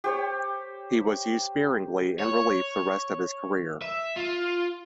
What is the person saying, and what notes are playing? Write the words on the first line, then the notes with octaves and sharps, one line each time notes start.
He was used sparingly in relief the rest of his career.
G4 C5 C#5
C#5
E5
F4